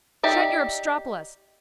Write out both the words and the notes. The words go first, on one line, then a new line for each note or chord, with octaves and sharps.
Shut your obstropolos.
D#4 G4 D5 E5